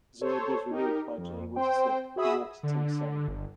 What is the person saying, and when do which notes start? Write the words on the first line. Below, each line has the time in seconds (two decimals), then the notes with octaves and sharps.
Zerbe was relieved by Jay Witasick, who walked Tim Salmon.
0.21 A4 C5 C#5
0.71 D#4 G4 A#4
1.18 F2
1.56 C4 C5 G5
2.16 F#4 G#4 E5 B5 D#6 E6
2.63 D3
3.28 G1